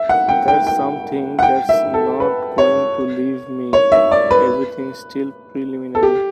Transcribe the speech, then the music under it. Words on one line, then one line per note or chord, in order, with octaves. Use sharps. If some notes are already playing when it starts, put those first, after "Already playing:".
That's something that's not going to leave me...Everything still preliminary.
Already playing: E5
F#5
G5
G5
G5
F#5
G5
E5
A4
B4
C#5
C#5
E5
D5
B4
A4
G4